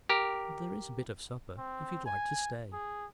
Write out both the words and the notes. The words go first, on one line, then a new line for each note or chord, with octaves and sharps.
But there is a bit of supper, if you like to stay.
G4 A#4
C4
G#5
G#4